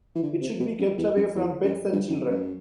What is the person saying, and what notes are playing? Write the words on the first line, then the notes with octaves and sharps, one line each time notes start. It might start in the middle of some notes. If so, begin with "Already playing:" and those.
It should be kept away from pets and children.
E3
D3
C3
B2
F#2
E2
F#2
E2
F#2
G2
F#2
F#2